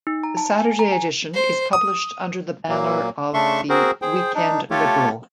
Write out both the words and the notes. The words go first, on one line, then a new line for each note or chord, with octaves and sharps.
The Saturday edition is published under the banner of the "Weekend Liberal".
D#4
A#5
A5
G#5
A#5
G#5
C5
D#6
A#2 F#3 A#3
C#3 A3 D4 E5 C6 C#6
C4 F#4 G#4 A#4 C5
G#4 C5 G5
D4 D#4
A3 F4 G4 A4 C#5